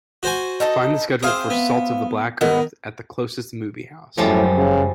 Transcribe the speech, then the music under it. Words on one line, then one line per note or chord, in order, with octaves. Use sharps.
Find the schedule for Salt of the Black Earth at the closest movie house.
F#4 C5 G#5
D#4 A4 D#5
C4 G#4 C5 E5 F5
B3
D#3 B3 D#5
F#2 A2 F3 G3 G#3
C#3